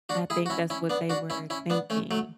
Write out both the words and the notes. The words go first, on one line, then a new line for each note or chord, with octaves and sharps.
I think that's what they were thinking.
D4 F#4
E4 G#4
F#4
C#4 E4
C#4 E4
B3 D4
D4 F#4
C#4 E4
C#4 E4
B3 D4
A3 C#4
F#3 A3